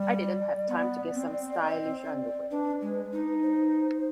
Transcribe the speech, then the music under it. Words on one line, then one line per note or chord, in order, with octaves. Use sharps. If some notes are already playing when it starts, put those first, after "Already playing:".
I didn't have time to get some stylish underwear.
Already playing: G3 D5
B3
C4
D5
D#5
C5
D5
D4 B4
G#3
D#4
C5